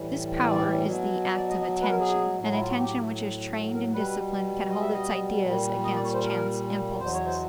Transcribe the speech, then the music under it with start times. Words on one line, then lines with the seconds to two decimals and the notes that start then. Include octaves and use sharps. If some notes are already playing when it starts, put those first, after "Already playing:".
This power is the act of attention. An attention which is trained and disciplined can hold its ideas against chance impulses.
Already playing: A2 E3 G3
0.47 D5
0.86 B2 F#3
1.24 D#5
1.36 D5
1.50 D#5
1.61 D#5
1.82 B4
1.90 A#4
2.00 G#4
2.39 A2 F#3
2.52 E4
2.60 F4
2.68 F#4
2.77 G4
3.54 A4
3.74 A#4
3.93 B2 G3 B4
4.70 D#5
4.80 E5
4.92 D#5
5.46 A#2 G3
5.84 D#5
5.95 D5
6.04 C#5
6.14 C5
6.23 A#4
6.99 E2 B2 F#3 C5
7.14 C#5
7.26 C5